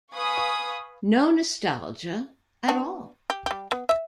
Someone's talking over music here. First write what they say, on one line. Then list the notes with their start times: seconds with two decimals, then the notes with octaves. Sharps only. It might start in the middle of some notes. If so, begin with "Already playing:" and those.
No nostalgia at all.
0.14 B4 F5 G#5 B5 C#6 D#6
2.68 B3 D4 F#4
3.30 G4
3.46 G3 G4
3.72 B3
3.89 E5